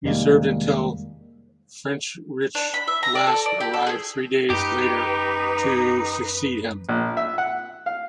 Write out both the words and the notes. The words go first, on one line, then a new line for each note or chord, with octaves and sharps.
He served until Friedrich Last arrived three days later to succeed him.
F2 C3 D#3 G3 G#3 A#3
D4
B5
E5
A#5
D5
A4
D5
G4
A4
G#4
F#2 D#4 G4 B4
A#1
E5
F#5
F5